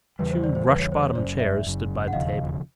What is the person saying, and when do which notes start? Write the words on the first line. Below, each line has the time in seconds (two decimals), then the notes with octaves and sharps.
Two rush-bottom chairs stood by the table.
0.19 E2 C#3 E3 G3 B4
0.31 C5
0.44 C5 D5
0.55 C5
0.67 E2 C#3 E3 G3 B4
0.79 C#5
0.92 C5
1.03 C#5
1.15 C#3 C5 D5
1.18 F#1 F#2
1.40 D5 E5
1.65 F#1 F#2 C#3
2.08 F#5
2.13 E1 D#2 C#3 F3 D#5 F5